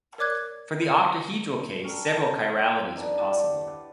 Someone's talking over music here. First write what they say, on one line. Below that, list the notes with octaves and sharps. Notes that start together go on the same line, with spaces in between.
For the octahedral case, several chiralities are possible.
A#4 C#5 D5 D6 F#6 G#6
C#4 A4 A#4 G5
C5 F5 G5 B5
D4 D#4 B4
E4 G4 D5 F#5